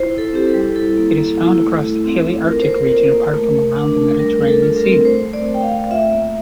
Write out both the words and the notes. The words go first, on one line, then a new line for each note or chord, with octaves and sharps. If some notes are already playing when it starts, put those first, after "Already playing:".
It is found across the Palearctic region apart from around the Mediterranean Sea.
Already playing: E4 F4 C5
E4
A4
C4 G4
A4
G3
E4 A4
A#3
A#3
E4
A3
E4
C4
C4
F4 A#4
C5
A#3
A#4
F4
A#3
A3
A3
D4
A3
G3 A#4
G3
A4
F4
A#4
C4
A3 C5
A3
D5
A3
G5
F5
A3
F4 E5
A#3